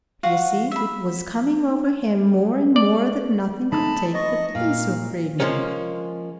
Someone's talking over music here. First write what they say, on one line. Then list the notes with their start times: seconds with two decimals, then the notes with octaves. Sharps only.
You see, it was coming over him more and more that nothing could take the place of freedom.
0.23 F4 F#4 F#5
0.71 E5 B5
2.76 D5
3.72 G#3 A3 D#4 A5 B5
4.14 D#5 C#6 A6
4.55 A#2 F5
5.40 F3 G#3 A#3 C#4